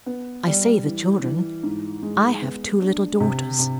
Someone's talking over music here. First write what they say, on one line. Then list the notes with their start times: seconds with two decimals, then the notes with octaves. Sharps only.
I say the children; I have two little daughters.
0.06 B3
0.46 G3
0.85 E3
1.24 E3
1.63 G#2
2.02 G#3
2.41 B3
2.81 D4
3.20 C3
3.59 C3